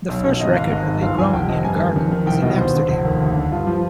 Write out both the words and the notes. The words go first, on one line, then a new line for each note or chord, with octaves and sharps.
The first record of it growing in a garden was in Amsterdam.
B1
B2
G#1 D#5
G#2 F5
G#1 D#5
G#2
G1 F5
F2 G#5
F1 G5
F2 D#5
G2 G#5
D#3
F2
D#3
C2 G5
B2 D#5
D#2 C5
D3
F1
D#2
D2
D3
G2 F4
F3